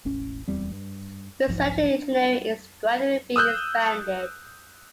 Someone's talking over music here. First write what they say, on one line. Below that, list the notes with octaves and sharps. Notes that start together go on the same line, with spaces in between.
Research in engineering is gradually being expanded.
E1 A1 C#4
D1 E2 G3 C4
G2
F1 B1 G#2 F3
D4
D#6 E6 F#6 G6